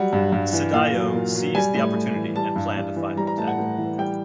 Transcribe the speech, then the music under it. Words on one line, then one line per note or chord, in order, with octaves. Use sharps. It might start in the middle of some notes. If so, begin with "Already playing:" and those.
Sadayo seized the opportunity and planned a final attack.
Already playing: F#3 G3 F#5
G2
G2
E3
A#2 F5
F#3
A#2
F#3
G3 G#5
A2
A2
E3
G3 A5
G2
G2
E3
G3 A#5
A#5
A2 A5
F#5
A2
E3
G3 G5